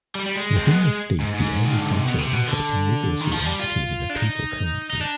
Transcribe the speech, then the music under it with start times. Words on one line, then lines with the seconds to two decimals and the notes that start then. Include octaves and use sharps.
Within the state the agricultural interests vigorously advocated a paper currency.
0.15 G3
0.26 G3
0.36 G#3
0.56 C4
0.68 B3
0.78 G#3
1.20 G#2
1.34 G#2
1.65 D#3
1.77 D3
1.91 C3
2.05 B2
2.18 C3
2.33 B2
2.47 D3
3.20 D#3
3.32 F3
3.45 G3
3.59 F4
4.10 D4
4.16 D#4
4.90 D#4
5.01 D4